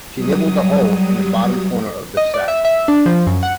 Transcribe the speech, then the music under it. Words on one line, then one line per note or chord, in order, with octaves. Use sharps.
She nibbled a hole in the bottom corner of the sack.
F#3 G3 D#6
D#5
D5
E5
E5
D4
F3
F#2
F#5